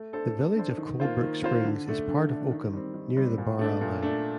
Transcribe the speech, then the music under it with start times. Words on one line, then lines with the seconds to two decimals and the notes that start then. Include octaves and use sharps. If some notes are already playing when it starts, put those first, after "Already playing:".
The village of Coldbrook Springs is part of Oakham, near the Barre line.
Already playing: A3
0.13 D4 A4 C5
0.35 A3
0.56 D4 A4 C5
0.78 D#3
1.00 A#3 F4 C5
1.21 D#3
1.43 A#3 F4 C5
1.64 D3
1.86 A3 D4
2.08 D3
2.29 A3 D4
2.51 D#3
2.73 G3 C4
2.94 D#3
3.17 G3 C4
3.38 A#2
3.59 A3 D4
3.81 A#2
4.03 A3 D4